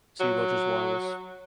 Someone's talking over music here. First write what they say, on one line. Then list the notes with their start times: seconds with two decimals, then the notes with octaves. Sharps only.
See Rogers Wireless.
0.20 F#3